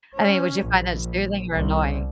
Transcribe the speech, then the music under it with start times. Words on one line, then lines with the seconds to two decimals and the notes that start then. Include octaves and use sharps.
I mean, would you find that soothing or annoying?
0.17 C#4
0.63 A#1
1.54 C2